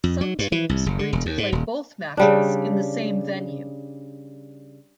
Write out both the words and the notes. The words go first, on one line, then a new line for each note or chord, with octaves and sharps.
Some teams agreed to play both matches in the same venue.
F2
F#3
G2
E3
C2
F#1
D3
E1
D#2
G#2
D#1
C#3 G3 D4